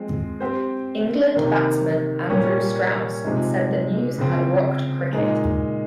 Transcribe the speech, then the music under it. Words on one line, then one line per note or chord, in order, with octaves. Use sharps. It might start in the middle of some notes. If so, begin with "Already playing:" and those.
England batsman Andrew Strauss said the news had rocked cricket.
Already playing: F3 G#3 C4
C4 G4 C5
C3 D#3 A#3
A#2 G3 C#4 G4 C#5
C3 F3 G#3 D#4
C#3 F3 C4
A#2 G#3 D#4